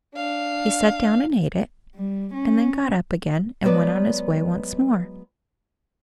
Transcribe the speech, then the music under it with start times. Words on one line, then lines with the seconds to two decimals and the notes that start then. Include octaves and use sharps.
He sat down and ate it, and then got up again and went on his way once more.
0.15 D4 F5
1.95 G3
2.34 C#4
3.63 F#3 G#3 B3 A#4 B4 D5